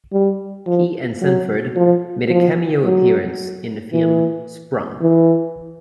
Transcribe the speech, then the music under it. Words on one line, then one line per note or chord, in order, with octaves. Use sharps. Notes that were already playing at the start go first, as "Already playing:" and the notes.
He and Sanford made a cameo appearance in the film "Sprung".
G3
F3
F#3
F3
F3
F#3
E3
E3